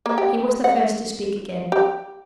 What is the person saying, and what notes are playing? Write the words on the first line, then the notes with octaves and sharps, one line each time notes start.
He was the first to speak again.
A#3
G4
F#5
G4